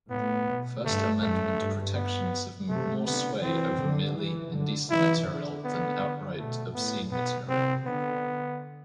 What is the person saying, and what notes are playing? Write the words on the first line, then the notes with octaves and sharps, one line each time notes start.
First Amendment protections have more sway over merely indecent material than outright obscene material.
A2 B3
B2
G2 A3
F#2 A3
G2
B3
C3 A3
D3 B3
E3 C4
D3
E3
D3
E3 E4
D3
B3
B2 A3
A2 B3
B2 B3
C3 C4
D3 B3